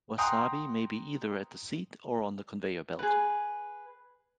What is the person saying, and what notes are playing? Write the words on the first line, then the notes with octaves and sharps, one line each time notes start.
Wasabi may be either at the seat or on the conveyor belt.
F#5 G5 A#5 C6 D#6
G#4 B4